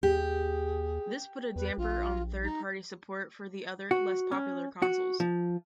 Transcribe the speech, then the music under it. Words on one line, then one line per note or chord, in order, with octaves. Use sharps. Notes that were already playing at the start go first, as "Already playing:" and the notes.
This put a damper on third party support for the other, less popular consoles.
D#2 G4 G#4
E2 B4
A#1 F4
D#4
F#4
C#4
F#4
F3